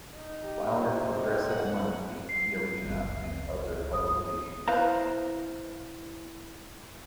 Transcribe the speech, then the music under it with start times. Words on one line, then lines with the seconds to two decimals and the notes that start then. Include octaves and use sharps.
Flower's progressive monthly, "The Arena" and other publications.
0.15 D#4
0.44 G4
0.76 C3
1.17 D#4
1.50 G#2 F#5
2.29 C7
2.85 F#1 C#2
3.93 G2 C#3 D#6
4.68 E4 B4 C5 F5 A#5